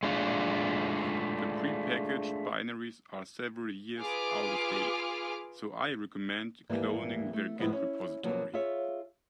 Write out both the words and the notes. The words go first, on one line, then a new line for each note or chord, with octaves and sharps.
The prepackaged binaries are several years out of date, so I recommend cloning their git repository.
G#3 A3 D4 F4
F4 G#4 B4 D6 F6
D#2 G#2 E3 G3 A#3
A3
A2 F3 G#3 B3 C4 E4
C#4 E4
B2 F3 F#3 A#3
F4 G#4 C#5 E5